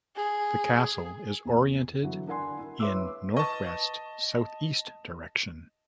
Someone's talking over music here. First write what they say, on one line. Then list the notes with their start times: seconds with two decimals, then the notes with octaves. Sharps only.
The castle is oriented in northwest–southeast direction.
0.16 G#4
1.45 E2
2.02 D3 E3 F#3
2.27 D4 E4 A#4 F#5 G#5 C6
2.59 E4
2.80 B4 C#5 E5 C6 D6 E6
3.37 B4 D#5 A5 C#6